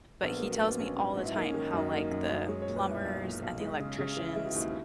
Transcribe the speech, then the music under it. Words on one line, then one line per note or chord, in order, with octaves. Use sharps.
But he tells me all the time how, like, the plumbers, and the electricians,
A#1 B3
A#3
F#3
A#3
A#1 B3
A#1 C#4
G#2
G#2 F#4
E4
A#3 D#4
C#4
D#3
F#2 D#4
A#3
F#2
F#2
G#3 C#5
C#5
A#2
B4
B1 E4
B1
A#2
B1
G#3
C#3
C#3
E3
G#3 E4
F#4
D#2
E4